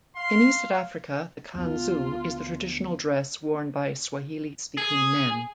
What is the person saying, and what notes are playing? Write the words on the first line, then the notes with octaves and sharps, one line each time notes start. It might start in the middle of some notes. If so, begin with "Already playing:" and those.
In East Africa, the kanzu is the traditional dress worn by Swahili speaking men.
F5 C6
D2 B3 F4
G#4